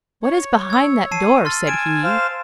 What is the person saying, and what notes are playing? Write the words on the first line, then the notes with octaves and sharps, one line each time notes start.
"What is behind that door?" said he.
C#5
E6 G#6
A5 C7 D#7
C6 F6 A6
G#5 D7 E7
C5 F5